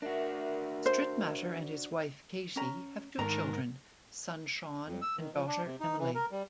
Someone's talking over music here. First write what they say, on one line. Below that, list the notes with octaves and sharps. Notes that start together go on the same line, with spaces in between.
Strittmatter and his wife, Katie, have two children, son Sean and daughter Emily.
D4 F#4 A#4 E5
C5
C#4 A#5
G#2 D#3 D4 A#4 A#5
F2
E6
D#3
F3
D4
C3
D#4
E3
A#4
G3